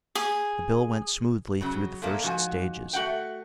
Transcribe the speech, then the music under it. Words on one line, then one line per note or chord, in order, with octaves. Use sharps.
The bill went smoothly through the first stages.
G#4
C#3 F#3
A#2 A3 A#3 A4
G#2 F3 F#4 G#5
A3 F#4 F#5 G5